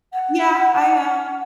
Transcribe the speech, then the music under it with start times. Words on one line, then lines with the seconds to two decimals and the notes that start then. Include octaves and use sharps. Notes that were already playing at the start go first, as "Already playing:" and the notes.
Yeah, I am.
0.13 F#5